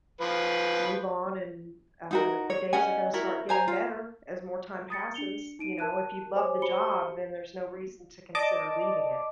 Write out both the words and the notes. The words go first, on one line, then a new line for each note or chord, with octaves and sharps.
move on and, uh, the days are gonna start getting better, as more time passes, you know, if you love the job then there's no reason to consider leaving it.
F3 B4
D#4 F#4 A#4
C#5
C#4 D#5 F#5 G#5
E4 F#4 A#4
C5 G#5 A#5
F4
D#6 A6 C#7
D4 C#7 F7 G7
D#4 D7 D#7
A#4 A5 F#6 D#7
G4 C5 C#5 G#5 D6
F#4 G4 C5 B5 C#7 G7
D5 D#5 A5 D6